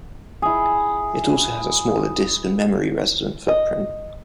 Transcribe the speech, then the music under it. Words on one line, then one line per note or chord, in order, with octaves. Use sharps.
It also has a smaller disk and memory-resident footprint.
E4 G#4
D#5